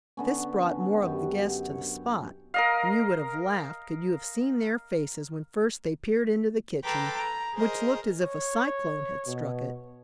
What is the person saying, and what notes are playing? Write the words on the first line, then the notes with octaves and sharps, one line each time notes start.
This brought more of the guests to the spot, and you would have laughed could you have seen their faces when first they peered into the kitchen, which looked as if a cyclone had struck it.
D3 B3 C#4
F#2 G4
C#5
A#4 D#5 F5
A4 B4 G5 A#5 C6 D6
A#5
G#4 A#4 C5 D#5
C#5
B2